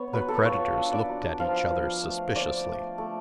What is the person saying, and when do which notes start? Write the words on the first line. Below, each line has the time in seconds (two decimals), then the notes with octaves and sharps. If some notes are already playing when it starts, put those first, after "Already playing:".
The creditors looked at each other suspiciously.
Already playing: B3 C#5
0.13 F#3 B4
0.28 A4
0.37 B4
0.45 F4 C#5
0.77 D4
0.93 D5
1.09 F#3
1.40 F3 F5
1.72 F3
2.03 A3
2.36 F3 D5
2.67 A3
2.98 A3